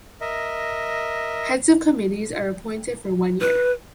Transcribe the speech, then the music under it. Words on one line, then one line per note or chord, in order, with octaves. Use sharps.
Heads of committees are appointed for one year.
A#4 D#5 E5
B4